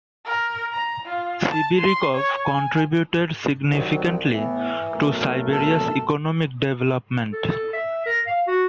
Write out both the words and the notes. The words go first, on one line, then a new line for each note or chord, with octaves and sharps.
Sibiryakov contributed significantly to Siberia's economic development.
A#4
A#5
F4
A5
C6
C#5
G#5
C2 D#3 F#3 C4
A2 E3 B3
B1 A3 A#4
A4
A4
A4
E5
A#4
F5
F#4